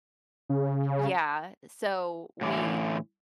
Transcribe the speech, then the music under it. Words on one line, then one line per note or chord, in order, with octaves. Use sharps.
yeah, so we
C#3
A2 D3 E3